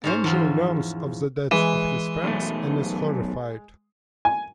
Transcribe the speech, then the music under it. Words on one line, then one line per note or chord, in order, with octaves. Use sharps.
Angel learns of the deaths of his friends and is horrified.
G#2 C#4 C5
E2 F3
E3 G#3
B1 F#2 A3
G#5